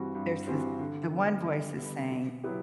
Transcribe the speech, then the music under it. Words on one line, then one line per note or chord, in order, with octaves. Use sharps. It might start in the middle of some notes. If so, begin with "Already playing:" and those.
There's this the one voice is saying,
Already playing: G2 E3 G3 C4 F#4
G2
E3 G3 C4 F#4
D3
G3 B3
D3
G3 B3
B2
F#3 B3 E4 G4